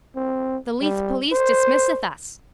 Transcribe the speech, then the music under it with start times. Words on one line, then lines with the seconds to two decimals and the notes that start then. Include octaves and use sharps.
The Leith police dismisseth us.
0.16 C4
0.82 G3
1.32 C5